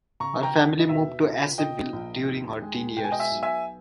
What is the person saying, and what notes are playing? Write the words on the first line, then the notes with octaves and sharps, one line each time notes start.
Her family moved to Asheville during her teen years.
C#3 A#5 C#6
G5 A#5
D#2
D#5
B2 E5
C#2
A#2 D#5 G5
A#1
D#2
G#3
B2 G5
G#5
D#5 G5
E5 G#5
B1
E5 G#5